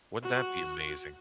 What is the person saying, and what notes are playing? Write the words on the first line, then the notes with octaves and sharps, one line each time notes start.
Wouldn't that be amazing?
F#4